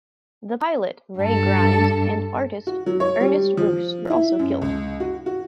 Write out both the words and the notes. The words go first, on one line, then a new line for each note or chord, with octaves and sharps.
The pilot, Ray Grimes, and artist Ernest Roose were also killed.
G2 A4
F#4
F#3
C#5
G3
F3
E4
F#2
C#2
F#4
F#4